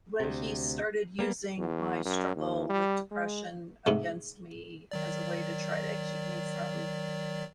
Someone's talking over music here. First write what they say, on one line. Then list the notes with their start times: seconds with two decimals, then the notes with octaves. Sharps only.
when he started using my struggle with depression against me as a way to try to keep me from
0.20 D2 C3
1.19 G3 A#3 B3
1.58 E2
2.05 F#2
2.36 D#2
2.69 G3
3.11 G#3
3.86 G#2 C3 A3
4.91 D#3 F#3 D5